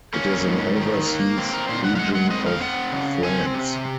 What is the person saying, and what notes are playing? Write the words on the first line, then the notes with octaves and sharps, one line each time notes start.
It is an overseas region of France.
A#3 C#4
G#2
D#3
A#3
C4
A#4
A#2 C5
F#5
F5
G#3 F#5
F#5
C4 D#5
F5
C4 F#5
C#3
C4 G#5
C3